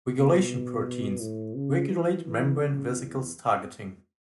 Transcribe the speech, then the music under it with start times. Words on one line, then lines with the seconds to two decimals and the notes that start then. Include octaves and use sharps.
Regulation Proteins - regulate membrane vesicle targeting.
0.17 B2
1.20 A2
1.56 C#3
1.90 E3
2.25 E3
2.60 C#3
2.94 E2